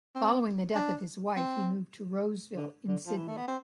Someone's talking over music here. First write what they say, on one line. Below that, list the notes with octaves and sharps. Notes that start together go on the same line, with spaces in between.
Following the death of his wife he moved to Roseville in Sydney.
C4
D4
C4
D3
D3
F3
E3
A3
B3
C4